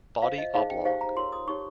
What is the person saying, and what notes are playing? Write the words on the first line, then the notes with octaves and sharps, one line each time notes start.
Body oblong.
F4 C5 F5
D#5
D#4 G#4 C5 F5
G5
D#4 G4 C5 F5
A#5
F4 A#4 C#5 C6
D#6
D#4 G4 C#5 C#6